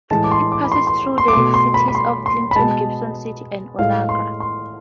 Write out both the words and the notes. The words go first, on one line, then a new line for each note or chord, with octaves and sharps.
It passes through the cities of Clinton, Gibson City, and Onarga.
A2 E3 G#3 A5
D6
C6
D6
B5
C6
C6
C6
D6
B2 A3 C6
C6
B5
B5
C6
C6
B5
B2 G#3 A5
A2 G#3 F5
C6
C6